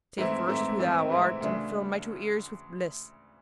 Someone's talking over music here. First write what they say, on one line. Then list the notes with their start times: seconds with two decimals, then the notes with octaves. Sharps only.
Say first who thou art, and fill my two ears with bliss.'
0.18 G#2 E3 A3 C4 E4
0.48 G#2 E3 A3 C4 E4
0.79 G#2 E3 A3 C4 E4
1.09 G#2 E3 A3 C4 E4
1.41 D2 C#3 E3 A3 D4